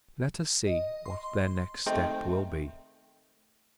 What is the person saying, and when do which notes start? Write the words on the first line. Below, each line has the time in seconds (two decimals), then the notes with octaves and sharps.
Let us see what their next step will be.
0.67 D#5
1.06 C6
1.86 D#3 A3 C4